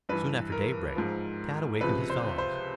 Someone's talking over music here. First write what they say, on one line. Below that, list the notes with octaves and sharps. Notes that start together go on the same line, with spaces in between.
Soon after daybreak, Tad awakened his fellows.
G2 E3 B4
A#4
G#2 F3
C#2 C3 F3 B4
C5
C5